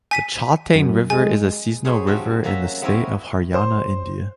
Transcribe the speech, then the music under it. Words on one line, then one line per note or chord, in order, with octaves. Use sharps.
The Chautang river is a seasonal river in the state of Haryana, India.
G#5 B6 D#7
F#2
G#3 G#5
B3 G#4 C5 C#5
G2 C4 F#4
F#3 A#3 C#4 F#4 E5 A#5
B3 C4 E4 A#4 C#5 G#5
C5